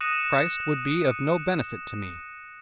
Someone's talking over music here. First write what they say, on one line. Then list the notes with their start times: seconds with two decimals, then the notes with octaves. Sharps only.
Christ would be of no benefit to me.
0.01 D#6 F#6 A#6 C#7 D#7 E7